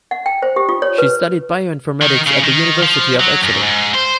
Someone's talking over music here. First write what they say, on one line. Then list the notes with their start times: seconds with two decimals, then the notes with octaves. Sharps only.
She studied Bioinformatics at the University of Exeter.
0.11 F#5
0.26 G5
0.42 C5
0.56 G4
0.69 F4
0.82 C#5
0.98 B4
2.02 D#3
2.27 C#3
2.44 D#3
2.82 F3
3.20 F#3
3.43 F#2
3.63 G#2
3.95 C5